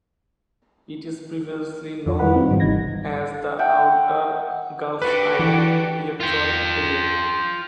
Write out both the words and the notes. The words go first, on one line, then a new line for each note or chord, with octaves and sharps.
It is previously known as the Outer Gulf Islands Electoral Area.
F2 D#3 F4 C#5
D#3 G3 E4 B4 F#5 B5
C4 D#4 F4
G#2 C#3 E3 G3
G1 C3 D#3 D#4 G#6 A#6
E5 F#5 G5 A5
D4 F#4 G4 B4
E3
F4 G5